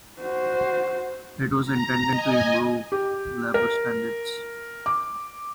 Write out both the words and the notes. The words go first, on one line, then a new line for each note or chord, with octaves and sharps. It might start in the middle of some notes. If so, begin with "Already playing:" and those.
It was intended to improve labor standards.
F#4 C5
A#5
D#5 G#5
G4
A#4
D6